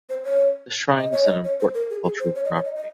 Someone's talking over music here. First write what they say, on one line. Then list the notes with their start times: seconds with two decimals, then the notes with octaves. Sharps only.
The shrine is an Important Cultural Property.
0.09 C5
0.24 C#5
0.98 D#5
1.12 C#5
1.25 D#5
1.44 C#5
1.60 C5
1.74 A#4
1.90 G#4
2.05 G#4
2.19 C5
2.35 C#5
2.45 D#5
2.55 C#5
2.65 D#5
2.76 D#5